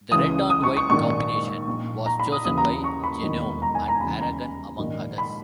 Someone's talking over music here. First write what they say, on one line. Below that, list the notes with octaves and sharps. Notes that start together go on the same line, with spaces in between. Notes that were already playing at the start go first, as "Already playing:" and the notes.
The red-on-white combination was chosen by Genoa and Aragon, among others.
C#2 C#3 E3 D#6
D#6
C#6
C#6
A#1 G#2 D#3 C#6
A#1 A#2
A#5
B5
D#6
D#2 C#3 E3 D#6
A#5
C#6
B5
E1 D#2 D#3
A#5
G#5
A#5
D#2 C#3 E3 B5
A#5
A#1 G#2 D#3
B5